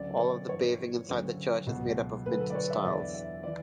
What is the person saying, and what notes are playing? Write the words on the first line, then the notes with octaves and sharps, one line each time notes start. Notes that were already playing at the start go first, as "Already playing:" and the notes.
All of the paving inside the church is made up of Mintons tiles.
Already playing: D2 C#3 F#3 D5
C#5
G2 E3 C#5
D2 C#3 F#3
C#2 B2 F#3
D2 D3 F#3 B4
A4
D5
C#5
E5
E2 D3 F#3 D5
E5
E3 D5